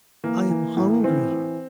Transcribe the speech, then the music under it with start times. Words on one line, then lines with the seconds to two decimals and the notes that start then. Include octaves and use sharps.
"I am hungry."
0.24 E3 A#3
0.50 E3
0.77 A2
1.04 E3 C4
1.31 E3